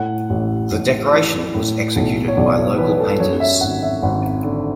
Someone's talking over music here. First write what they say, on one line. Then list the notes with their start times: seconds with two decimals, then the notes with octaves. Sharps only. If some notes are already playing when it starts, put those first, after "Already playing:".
The decoration was executed by local painters.
Already playing: A2 F#5
0.30 A1
0.71 A1
1.12 E3
1.55 A2
1.96 B1
2.28 C#5
2.37 B1 D5
2.58 C#5
2.78 E3 B4
3.00 A4
3.20 F#2 C#5
3.40 E5
3.61 G#1 F#5
3.83 E5
4.02 G#1 F#5
4.44 D3